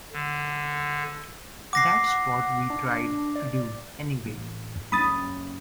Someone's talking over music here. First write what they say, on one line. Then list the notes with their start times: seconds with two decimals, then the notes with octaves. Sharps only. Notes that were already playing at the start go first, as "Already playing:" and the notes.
That's what we tried to do, anyway.
0.13 D3
1.73 F#5 D6 A#6 C7
2.70 D4
3.36 D5
4.26 A1
4.92 F#1 C#3 B5 D#6 A6